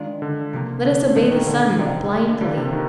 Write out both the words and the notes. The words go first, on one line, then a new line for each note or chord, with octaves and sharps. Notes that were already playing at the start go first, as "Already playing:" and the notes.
Let us obey the sun blindly.
Already playing: D#3 G#3 D4 F4
D3
C3 F3 A#3
D3
A#2 D3 F3 G#3 D#4
D#3
D3
C3 D#3 G#3 D4 F4
D3 G3 A#3 F4
C3
D#3